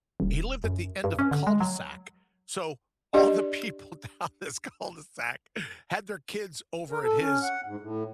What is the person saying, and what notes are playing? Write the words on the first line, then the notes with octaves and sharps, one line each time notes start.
he lived at the end of a cul-de-sac. So, all the people down this cul-de-sac had their kids over at his
D#1
F#2
G2
C#4
D3
G#3
F#3
D4 G4 D5 D#5
A#4
A4
C#4
F#5
G#2
A2